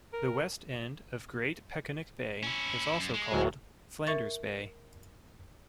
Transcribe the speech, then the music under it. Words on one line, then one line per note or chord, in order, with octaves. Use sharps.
The west end of Great Peconic Bay is also called Flanders Bay.
A#4
C#4 E4
F#2
G#3
D1 F#3
A#4 E5 C#6 A6